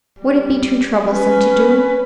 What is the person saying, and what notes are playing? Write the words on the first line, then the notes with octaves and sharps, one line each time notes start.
Would it be too troublesome to do?'
G3
C#4 B4